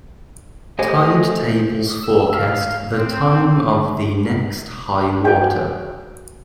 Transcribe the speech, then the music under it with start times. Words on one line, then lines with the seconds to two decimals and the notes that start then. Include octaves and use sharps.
Tide tables forecast the time of the next high water.
0.79 A3 G4 C5 D#5 G#5
2.03 E6
2.33 F5
2.97 C4
5.24 F#4 A#4 C5 F5 G5 G#5